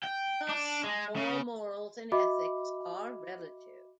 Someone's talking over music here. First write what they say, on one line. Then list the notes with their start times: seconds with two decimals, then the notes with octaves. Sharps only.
Thus all morals and ethics are relative.
0.04 G5
0.49 D4
0.84 G#3
1.16 C#3
2.12 F#4 D#5 E5 B5 D6